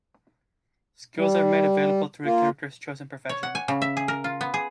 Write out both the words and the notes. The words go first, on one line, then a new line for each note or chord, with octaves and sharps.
Skills are made available through the character's chosen profession.
G3
A#3 F4
C#5
F#5
G#5
C#3
E5
G#4
A#4
F4
B3
G#4